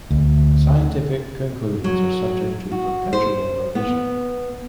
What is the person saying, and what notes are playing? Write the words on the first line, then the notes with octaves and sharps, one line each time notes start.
Scientific conclusions are subject to perpetual revision.
D2
F#3
F#4
C5
B3